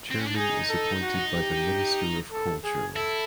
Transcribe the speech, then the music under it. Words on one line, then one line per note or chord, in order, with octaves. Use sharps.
Chairman is appointed by the Minister of Culture.
C4
C#4
D4
D#4 G#4
A4
F#4
G4
A4
G#4
E4 A4